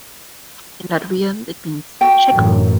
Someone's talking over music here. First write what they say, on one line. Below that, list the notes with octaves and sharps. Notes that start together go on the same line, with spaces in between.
In Latvian, it means "checkroom".
F#4 G5
A1 F#2